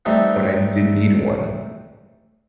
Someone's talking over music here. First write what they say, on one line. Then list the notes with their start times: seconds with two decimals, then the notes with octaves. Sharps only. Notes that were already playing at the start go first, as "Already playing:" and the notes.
when I n did need one.
0.05 E3 G3 A3 C4 D#4